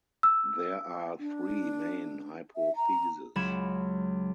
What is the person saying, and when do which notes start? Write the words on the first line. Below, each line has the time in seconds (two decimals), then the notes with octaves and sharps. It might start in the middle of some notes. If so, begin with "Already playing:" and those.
There are three main hypotheses.
0.23 E6
1.19 D4
2.56 E5
2.76 A#5
3.36 C#2 F#3 B5 G#6 E7